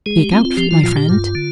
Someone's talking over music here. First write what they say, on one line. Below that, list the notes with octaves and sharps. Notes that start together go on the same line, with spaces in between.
"Speak out, my friend."
G#3 G#4
G4
C4 F4
F4
F3 G4
F4
A#2 F4
G4
G2 F4
D3